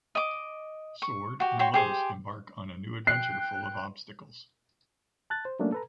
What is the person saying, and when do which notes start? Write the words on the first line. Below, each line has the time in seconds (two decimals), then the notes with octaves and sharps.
Sword and los embark on a new adventure full of obstacles.
0.15 D#5 D6
1.02 C#6
1.40 F#4 G4
1.59 F#4 C#5 G5 C6
1.74 G4 G#4 C5
3.07 G5 F#6 C7
5.30 A5 F#6 A6
5.45 C5
5.59 F#3 A3 A#3 C#4 D4
5.72 A4 B4 A#5